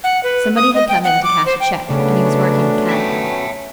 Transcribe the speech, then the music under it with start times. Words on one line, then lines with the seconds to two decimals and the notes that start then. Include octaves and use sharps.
Somebody had come in to cash a cheque, and he was working mechanically.
0.04 F#5
0.24 B4
0.56 D#6
0.74 D#5
0.89 G5
1.04 F#5
1.24 D6
1.46 C5
1.60 G5
1.90 C#3 F#3 A3 B3 C#4 D4
2.89 E5 G5 A5